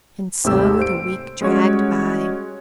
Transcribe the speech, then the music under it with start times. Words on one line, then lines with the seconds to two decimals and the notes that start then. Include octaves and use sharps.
And so the week dragged by....
0.44 G#1 D#2 C3 A3 G4 E6
0.79 C5 D7
1.41 G3 G#3 C#4 F#4 C#5